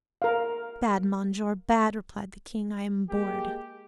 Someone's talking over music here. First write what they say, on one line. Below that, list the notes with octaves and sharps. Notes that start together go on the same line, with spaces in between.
"Bad, monsieur, bad!" replied the king; "I am bored."
A#4 F5
G#3 A#3 G4